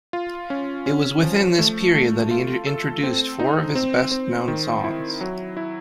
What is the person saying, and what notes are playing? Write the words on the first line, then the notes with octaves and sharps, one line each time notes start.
It was within this period that he introduced four of his best-known songs.
F4
C#4
C#4
F3
A3
A3
F4
A4
C4
D#4
C4
C4
D#3
E4
F#3
E4